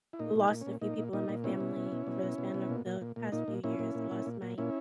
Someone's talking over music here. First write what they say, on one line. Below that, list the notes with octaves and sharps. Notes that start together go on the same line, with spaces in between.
lost a few people in my family over the span of the past few years. I lost my
E4
A#2 D#4
A#2 D#4
A#2
C#4
A#2
A#2 D#4
A#2
A#2 D#4
A#2
B2 C#4 E4
B2
B2
B2
B2
B2
B2
B2
A#2
A#2
A#2
A#2
A#2 D#4
A#2
A#2 C#4 E4
A#2
A#2
A#2
A#2
A#2
A#2 C#4 E4